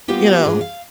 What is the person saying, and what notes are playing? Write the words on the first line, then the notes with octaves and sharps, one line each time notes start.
You know.
G3 A#3 B3 F4 G4 B4
G#2 G#3 D4 F4 C5
F5